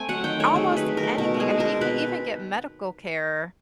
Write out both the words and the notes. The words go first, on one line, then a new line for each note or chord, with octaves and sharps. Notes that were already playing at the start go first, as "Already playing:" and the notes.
almost anything, I mean, you can even get medical care,
Already playing: A3 C4 G#5
F#3 F#5
D#3 G5
A3 C#5
C4 G#4
F#3 B4
D#3
A#4
A3
B2 A#4
G#3
G#4
B2
A#4
C4
B2 B4